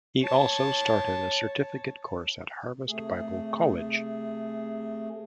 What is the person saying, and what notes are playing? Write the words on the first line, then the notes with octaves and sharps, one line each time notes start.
He also started a certificate course at Harvest Bible College.
C#5 A5
C3 A3 G#4